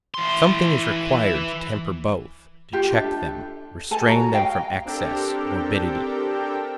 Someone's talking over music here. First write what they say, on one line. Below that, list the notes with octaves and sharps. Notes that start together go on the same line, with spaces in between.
Something is required to temper both--to check them, restrain them from excess, morbidity.
E3 C6
F4 G4
D4 A4 E5
A4 G#5 A5
F#4 C#5 A#5
D#5 F5 G5
C4 D4 G4 A4 A#4 G5